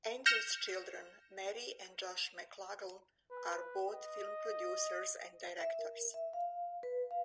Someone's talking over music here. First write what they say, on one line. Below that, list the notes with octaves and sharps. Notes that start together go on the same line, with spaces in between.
Andrew's children, Mary and Josh McLaglen, are both film producers and directors.
F6 G6 A#6 C#7 E7
B4
D#5
E5
A#4
E5
F5
B4
F5